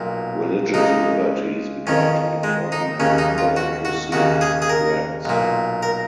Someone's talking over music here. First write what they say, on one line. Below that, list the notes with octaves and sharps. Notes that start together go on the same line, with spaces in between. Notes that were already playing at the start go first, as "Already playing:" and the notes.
Religious liberties began to decline and Cumberland received threats.
Already playing: B1 A#2
C#2 C#3 D#4
F2 D#3 C#4
G#3
D#4
D#2 C#3 C#4
D#4
F4
F#4
F#4
D#2 C#3 F#4
G#4
G#4
A#4
B1 A#2
A#4